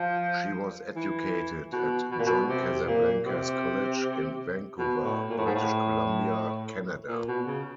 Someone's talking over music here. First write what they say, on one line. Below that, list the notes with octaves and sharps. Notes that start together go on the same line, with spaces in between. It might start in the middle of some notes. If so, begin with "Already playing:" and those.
She was educated at John Casablanca's College in Vancouver, British Columbia, Canada.
Already playing: F3
E3
B2
B2
A#2
B2
C3
A#2
C3
B2
A2
A#2
A2
G#2
A2
A#2
B2
C#3